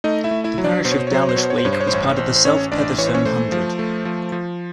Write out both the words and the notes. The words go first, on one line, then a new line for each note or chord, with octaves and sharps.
The parish of Dowlish Wake was part of the South Petherton Hundred.
A3 D#4 D#5
E4 E5
A3
E4 E5
F#3
D4 D5
B2 C5
C#5
C5
C#5
F#3 C5
C#5
C5
B2 C#5
C5
C#5
C5
G2 C#5
C5
C#5
C5
A1 C#5
C5
C#5
A1 C5
C5
A1 C#4 C#5
A1 D4 D5
E3 C#5
C5
C#4 C#5
A3 C5
F3
A3
F3
F3